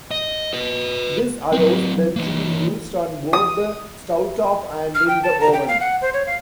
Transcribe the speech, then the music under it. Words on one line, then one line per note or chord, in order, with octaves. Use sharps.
This allows them to be used on both the stovetop and in the oven.
D#5
B4 D#5
F#3 C4
E3 A#3
D#6
F6
G5
A5
A#5
G5
F5
F#5
C5
C#5
F5